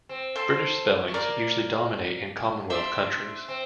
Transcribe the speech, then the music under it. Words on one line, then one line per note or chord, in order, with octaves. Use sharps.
British spellings usually dominate in Commonwealth countries.
C4
A4 C5
A3
A#3 A#4 D5
D4 C5 E5
C4